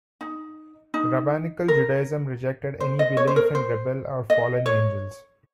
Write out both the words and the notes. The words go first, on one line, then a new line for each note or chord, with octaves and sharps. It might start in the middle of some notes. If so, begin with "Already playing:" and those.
Rabbinical Judaism rejected any belief in rebel or fallen angels.
D#4
D#4
A#4
C5
D#5
C#5
C5
A#4
C5
D#5
C#5